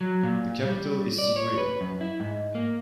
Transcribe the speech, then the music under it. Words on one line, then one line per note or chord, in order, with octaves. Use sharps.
The capital is Siguiri.
F#3
A#2
G3
D5
C#5
B4
F#2
E4
G#2
A#3